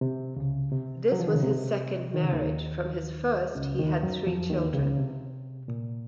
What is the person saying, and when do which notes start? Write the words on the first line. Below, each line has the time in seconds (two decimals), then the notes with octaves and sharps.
This was his second marriage; from his first, he had three children.
0.01 C3
0.37 C#2 C#3
0.72 C3
1.12 F#3
1.20 F3
1.27 D#3
1.35 C#3
1.43 C3
2.14 D#3
2.23 C#3
2.33 D#2 D#3
3.55 C#2 C#3
3.79 D#2 D#3
4.03 F#2 F#3
4.27 F2 F3
4.50 D#2 D#3
4.73 C#2 C#3
4.86 C#3
4.98 C3
5.68 A#2